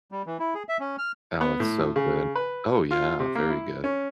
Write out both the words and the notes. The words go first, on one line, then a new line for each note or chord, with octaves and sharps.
Oh, it's so good. Oh, yeah very good.
G3
E3
E4
G#4
E5
C#4
F6
B3
A2
C#3
B4
F4
C3
A#3
E4
C#4